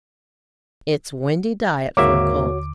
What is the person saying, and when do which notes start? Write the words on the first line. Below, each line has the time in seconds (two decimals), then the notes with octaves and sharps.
It's windy diet for a colt.'
1.97 G#1 D#2 D3 A#3 F#4 C#5 E5 D6